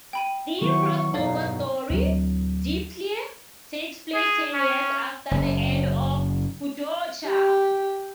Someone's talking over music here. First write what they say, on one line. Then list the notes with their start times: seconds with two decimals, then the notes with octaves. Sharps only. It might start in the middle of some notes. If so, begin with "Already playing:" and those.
The crossover story, "Deep Clear", takes place ten years after the end of "Kodocha".
0.13 G5 B5 D#7
0.61 D#3 F#3 B3 E4 C#6
1.14 E2 G2 B2 D#4 A4 C#5 D5 F5
1.90 D2 F#3
4.14 G#4
4.54 C#4
5.31 F#1
7.25 G4 G5